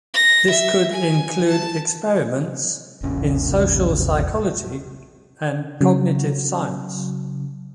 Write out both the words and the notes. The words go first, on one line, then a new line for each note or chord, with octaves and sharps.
This could include experiments in social psychology and cognitive science.
A#6
E5
G#5
A5
E1 A#1 C#3 C#4
C#3 F#3